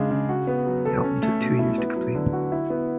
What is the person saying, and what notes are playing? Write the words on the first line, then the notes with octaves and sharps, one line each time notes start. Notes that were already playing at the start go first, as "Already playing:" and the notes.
The album took two years to complete.
Already playing: C#3 G#3 D4
C#3
F#4
B3
F#3
A4
C#4
A3
B2
E4
B3
F#3
D3
F#4
E4
B3